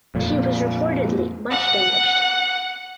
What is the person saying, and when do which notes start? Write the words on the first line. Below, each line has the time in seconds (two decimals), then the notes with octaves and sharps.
She was reportedly much damaged.
0.15 F2 A#2
1.51 F#5